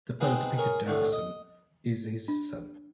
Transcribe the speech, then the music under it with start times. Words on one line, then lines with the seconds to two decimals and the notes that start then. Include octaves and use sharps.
The poet Peter Davison is his son.
0.20 G#3 B3 C4 D#4 G#4
0.58 G#4 A#4 C#5
0.86 C2 A2 D3
1.12 D#5
2.28 D4